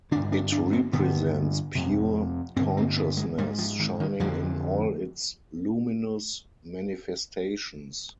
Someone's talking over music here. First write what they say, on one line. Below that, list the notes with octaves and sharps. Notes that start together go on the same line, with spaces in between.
It represents pure consciousness shining in all its luminous manifestations.
G2 D3 D4
D4
D4
C4
G2 D3 B3
F2 C3
G2 D3 C4
C4
B3
G#3
G#2 G3
F3
D#3
D#3
F2 D3 F3